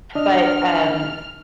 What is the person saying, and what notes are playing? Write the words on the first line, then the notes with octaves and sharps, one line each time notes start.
but, um,
D4 D#5 F6